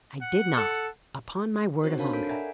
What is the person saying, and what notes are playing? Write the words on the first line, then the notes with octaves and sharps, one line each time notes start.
"I did not; upon my word of honour."
F#5
A4
C4 D#4 F#4 C5 C#5
D4 A#4 C#5 F5 A5 B5
A4 A#4 G6 B6 D7
D5 E5 F#5 G#5 A#5